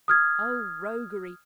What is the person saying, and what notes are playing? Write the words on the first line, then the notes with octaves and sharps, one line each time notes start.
Oh roguery!
D#6 F6 G#6